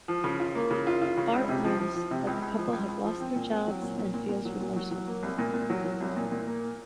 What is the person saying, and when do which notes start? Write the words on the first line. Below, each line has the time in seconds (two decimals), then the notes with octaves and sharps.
Bart learns that the couple have lost their jobs and feels remorseful.
0.08 F3
0.24 C#3
0.40 F4
0.55 A#3
0.70 C#3
0.87 F4
1.02 F4
1.17 C#3
1.33 C#2
1.49 C3
1.64 F3
1.79 F3
1.95 F3
2.11 C3
2.27 C#2
2.42 C#2
2.58 F3
2.73 C#2
2.88 C#2
3.05 F3
3.20 C4
3.36 A#2
3.52 C4
3.67 F#3
3.82 A#2
3.98 A#2
4.14 A#2
4.29 A#2
4.45 F#3
4.61 A#2
4.76 F#3
4.91 F#3
5.07 A#3
5.23 C2
5.38 A#2
5.54 A#2
5.70 F#3
5.85 F#3
6.01 C2
6.16 A#2
6.32 A#2
6.47 A#3